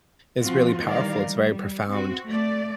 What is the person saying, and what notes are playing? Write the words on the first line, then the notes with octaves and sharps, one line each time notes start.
is really powerful, it's very profound,
F3 C4 F4 F#4
D#3 E3 G3 A#4 D5 F5
G3
C4 F#4
A3 D5